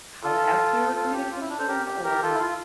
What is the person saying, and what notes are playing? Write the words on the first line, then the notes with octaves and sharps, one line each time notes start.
how to have clearer communication? Or,
F4 A4
F4 A4
G4
F4
E4
D4
A4 C5
G4 A#4
G4
G4 A#4
F4 A4
E4
F4